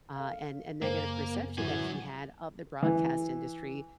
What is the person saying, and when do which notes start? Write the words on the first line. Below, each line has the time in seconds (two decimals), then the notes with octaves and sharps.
uh, and and negative perception that he had of the broadcast industry
0.16 A4 F5
0.82 F#2 C#3 G#3 A#3 A#4 C5 G#5
1.58 A2 D3 E3 F#3 G#5
2.83 E3